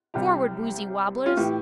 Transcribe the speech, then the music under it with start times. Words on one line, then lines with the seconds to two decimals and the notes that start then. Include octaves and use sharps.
Forward, woozy wobblers!
0.14 C2 C3 G3 G4
1.26 F4
1.37 A2 E3 G4